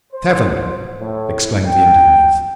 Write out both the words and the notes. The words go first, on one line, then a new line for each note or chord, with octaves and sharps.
"Seven!" exclaimed the Indian youth.
C5
A2
G5